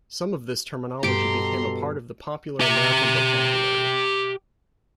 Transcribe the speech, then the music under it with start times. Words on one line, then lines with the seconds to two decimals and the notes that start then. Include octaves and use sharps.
Some of this terminology became a part of the popular American vocabulary.
1.03 G2 B2 G4 A4 A#5 C6 D6
2.60 G4 E5